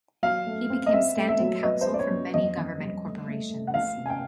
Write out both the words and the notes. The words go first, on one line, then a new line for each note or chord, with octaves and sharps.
He became standing counsel for many Government Corporations.
F#3 F5
A3
C4
D#5
C4 E5
A3
E5
F#3
B3 D#5
C5
B3
D5
C#5
F#2
F2 D#5
F2
G3
A3
A3
A3
F#5
F3 F5
C3
G#5
G5